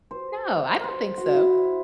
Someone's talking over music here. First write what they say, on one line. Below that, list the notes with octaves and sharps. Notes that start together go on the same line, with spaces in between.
No, I don't think so.
C5
C5
F#4
E4